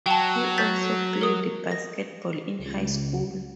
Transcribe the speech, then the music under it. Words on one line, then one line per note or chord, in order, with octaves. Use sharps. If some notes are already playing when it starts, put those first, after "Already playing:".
He also played basketball in high school.
F#3 G5 A5
G6 A6 B6
A#4 D#6
A#6
C#2